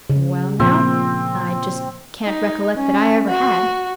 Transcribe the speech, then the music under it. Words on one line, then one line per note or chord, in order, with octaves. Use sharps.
"Well now, I just can't recollect that I ever had."
C#3
A#2 F3 C4
D#4
C#4
F#4